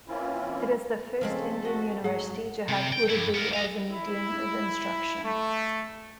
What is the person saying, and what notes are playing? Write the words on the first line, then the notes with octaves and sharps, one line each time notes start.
It is the first Indian university to have Urdu as a medium of instruction.
E3 A#3 C4 C#4 E4 F4
C#3 F3 G#3 A3 C4 A4
F#4 D#5
G#2 F#3 G#4 F#5
C3
G5
G2 E4
B3 A#4
D#5 F5
E4
A3